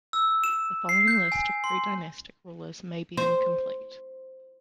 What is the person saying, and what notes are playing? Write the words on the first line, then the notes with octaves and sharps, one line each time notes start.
The following list of predynastic rulers may be incomplete.
E6
E7
C7
G6
G#5
C6
C5